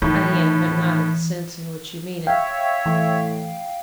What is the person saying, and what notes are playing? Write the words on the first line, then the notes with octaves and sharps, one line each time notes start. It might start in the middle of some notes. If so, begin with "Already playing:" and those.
I am--but not in the sense in which you mean it.
A2 D#3 E3
C#5 E5 F5 G5
A2 E3